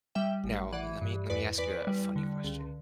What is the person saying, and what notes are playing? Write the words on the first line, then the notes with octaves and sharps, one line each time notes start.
Now let me let me ask you, uh, a funny question
G3 E5 G5
A1
E3 D5 F#5
G2
E2 B4 D5
E2 B4 D5
G3
D3
C#2